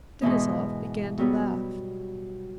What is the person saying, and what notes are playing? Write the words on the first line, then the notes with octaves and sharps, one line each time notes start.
Denisov began to laugh.
G#2 B2 E3 B3
F#3 G3 B3